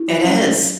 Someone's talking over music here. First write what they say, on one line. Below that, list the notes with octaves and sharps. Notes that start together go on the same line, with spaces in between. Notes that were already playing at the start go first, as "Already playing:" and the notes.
It is.
Already playing: E4
F#3
C#4
C#4
F#3